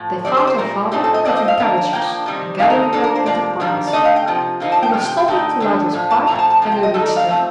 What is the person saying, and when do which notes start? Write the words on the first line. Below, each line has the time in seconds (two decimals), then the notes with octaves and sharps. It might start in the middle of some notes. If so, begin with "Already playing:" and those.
They found their father cutting cabbages and gathering them into piles. He was stopping to light his pipe, when they reached him.
Already playing: A2 F3
0.25 D#3 G3 C4 D5
0.37 C5
0.47 C5
0.58 A#2 G3 A#3 A#4
0.92 A#2 A3 C4 D#4 G4
1.04 A4
1.14 D#5
1.25 F3 C4 D#4 D5
1.37 D#5
1.48 F5
1.59 D#3 A#3 D4
1.93 F3 A#3 D4 G5
2.26 C3 D#3 G3
2.59 D#3 A3 C4 D#4 F5
2.70 A#4
2.93 F3 A#3 D4 A4
3.04 A#4
3.15 C5
3.26 C3 F3 A#3 D5
3.60 D#3 G3 A#3 D4
3.87 D5
3.93 D3 A3 D#4 D#5
4.05 F5
4.16 G5
4.27 C3 F3
4.60 D3 F3 A#3 D#4
4.72 A5
4.82 G5
4.94 C3 F3
5.05 G5
5.28 D3 A3 D#4 G5
5.60 D3 A3 D4
5.93 A2 F3
6.10 A5
6.27 A#2 F3 A3 A#5
6.39 A5
6.50 A5
6.62 C3 F3
6.72 G5
6.83 D#5
6.94 D#3 A3 D#4 A4
7.06 D5
7.16 F5
7.29 F3 A3 C4